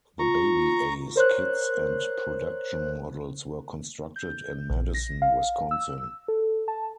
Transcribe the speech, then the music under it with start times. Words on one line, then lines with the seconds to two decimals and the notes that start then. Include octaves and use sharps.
The Baby Ace kits and production models were constructed in Madison, Wisconsin.
0.19 F4 A#5 C#6
1.16 A#4 C5 C#5 F#6
4.16 G6
4.70 A#1
4.94 A#6
5.22 F5
5.71 E6
6.28 A4
6.68 A5